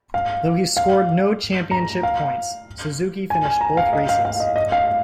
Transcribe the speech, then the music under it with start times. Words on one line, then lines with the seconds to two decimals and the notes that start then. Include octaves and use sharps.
Though he scored no championship points, Suzuki finished both races.
0.14 F5
0.77 F5
1.71 A#5
2.03 F5
3.30 G#5
3.46 G#5
3.61 A#5
3.77 F5
3.93 D#5
4.09 F5
4.25 F5
4.40 D#5
4.56 D#5
4.72 F5